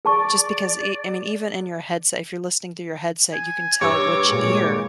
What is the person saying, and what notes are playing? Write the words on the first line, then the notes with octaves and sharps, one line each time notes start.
just because e I mean, even in your headset, if you're listening through your headset, you can tell which ear
G#4 D5 A5 C#6
G#5
G2 B4 C#5 D6 E6
A#2 G#3